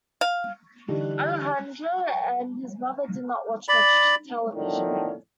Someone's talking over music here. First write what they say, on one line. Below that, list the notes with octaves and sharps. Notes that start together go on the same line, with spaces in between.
Alejandro and his brother did not watch much television.
F5
D3 E3 G3 D4 D#4
D5 B5
F2 A2 D3 D#3